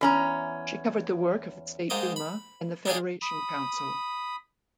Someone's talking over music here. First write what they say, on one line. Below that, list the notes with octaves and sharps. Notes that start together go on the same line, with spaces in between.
She covered the work of the State Duma and the Federation Council.
E2 C#4 A#5
G#2 A#3 G4 D#5
B5
D4 D#4 G4 G#4 F5
B5 D#6